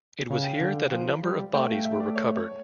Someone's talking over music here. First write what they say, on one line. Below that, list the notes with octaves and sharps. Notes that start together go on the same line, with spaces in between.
It was here that a number of bodies were recovered.
C#3 F5
G5
D3 F5
F3
G3
A3 G5
F5
E5
D5
C#5
C#5